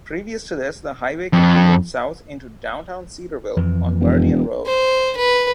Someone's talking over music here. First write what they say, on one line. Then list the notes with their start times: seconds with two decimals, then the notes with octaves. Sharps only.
Previous to this, the highway continued south into downtown Cedarville on Merdian Road.
1.33 F2
3.57 F2 E3
4.00 E1
4.66 C5
5.17 B4